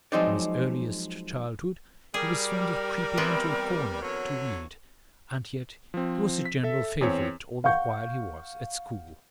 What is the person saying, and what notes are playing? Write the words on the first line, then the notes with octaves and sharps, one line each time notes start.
From his earliest childhood he was fond of creeping into a corner to read, and yet he was a general favorite all the while he was at school.
F3 F#3 G#3 C4 D#4 D5
G3 G#4 A#4
E3 B3 C4
D3 F#3 C#5
F3 C4
B6
A4 E5
E2 C4 C#5
F5 F#5 C#6 G6